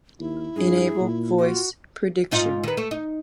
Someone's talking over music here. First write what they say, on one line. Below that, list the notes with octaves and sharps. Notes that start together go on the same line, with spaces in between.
Enable voice prediction.
D#2 E4
G2 G#4
A#2
F4 F#4
G#2 D#4 F4
D#3 B4
A3
D#4